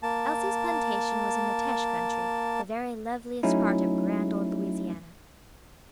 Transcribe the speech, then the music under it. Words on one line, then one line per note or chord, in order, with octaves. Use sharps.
Elsie's plantation was in the Teche country, the very loveliest part of grand old Louisiana.
A#3 A5
F#3 A3 C#4 D#4 E4